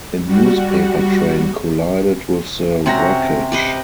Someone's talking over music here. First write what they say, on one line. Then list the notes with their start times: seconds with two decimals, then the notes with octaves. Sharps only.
A newspaper train collided with the wreckage.
0.24 G3 F#4
2.86 C3 C4 C#4 F#4 A#5
3.52 G4 B4 D#5